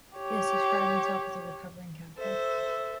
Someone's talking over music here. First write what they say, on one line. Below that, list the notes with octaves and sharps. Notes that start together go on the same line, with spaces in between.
He has described himself as a recovering Catholic.
G4 C#5
A4 C5 E5